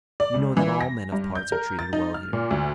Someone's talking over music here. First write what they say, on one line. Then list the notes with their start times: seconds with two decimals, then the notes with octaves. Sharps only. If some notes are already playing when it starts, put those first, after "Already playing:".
You know that all men of parts are treated well here.
0.20 D5
0.34 C#2
0.57 E3
0.81 A#6
1.12 G2
1.35 G6
1.52 A#4
1.79 A6
1.93 D#4
2.14 F6
2.33 A#2
2.50 D2